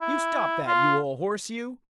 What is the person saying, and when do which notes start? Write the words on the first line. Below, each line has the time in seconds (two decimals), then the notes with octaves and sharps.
"You stop that, you ole horse, you!"
0.02 E4
0.67 F4